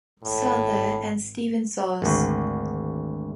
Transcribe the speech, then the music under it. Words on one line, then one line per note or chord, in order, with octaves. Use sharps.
Souther and Steven Soles.
G#1 A2
G#1 D2